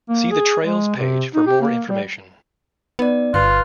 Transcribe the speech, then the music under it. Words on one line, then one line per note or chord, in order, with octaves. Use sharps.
See the Trails page for more information.
A#3
G#4
G#3
C3
D#4
G4
A#3
G3
B3 D#4 D5
G1 F4 B4 F6 F#6